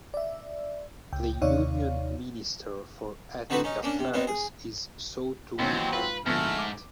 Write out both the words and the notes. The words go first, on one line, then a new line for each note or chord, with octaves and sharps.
The Union Minister for Ethnic Affairs is Saw Tun Aung Myint.
D5 E5
C#2 G5
D#2 C3 D#4 C#5 D5 F5
D3 C4 D#4 F#4 B4
C#4 D#4
A#3 C#4 D4
C3
B3 C4 D#4
G#4
D#2 B2 D#3 F#3 C4 C#4
E3
F4 B4
G#2 D3 F3 A3 B3 F6
D6